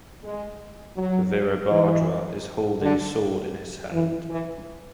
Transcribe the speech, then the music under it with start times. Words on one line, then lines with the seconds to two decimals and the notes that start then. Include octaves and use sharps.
Virabhadra is holding sword in his hand.
0.23 G#3
0.97 F#3
1.71 E3
2.82 D3
3.92 E3
4.29 E3